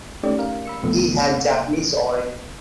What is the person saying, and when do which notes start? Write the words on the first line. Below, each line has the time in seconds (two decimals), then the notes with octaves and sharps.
He has Japanese origin.
0.23 A3 C#4 D#4 G4 D5
0.39 A#4 F5
0.65 B5 E6 C#7
0.82 B1 F2 C3 F3 A3 B3
1.33 C3 A#3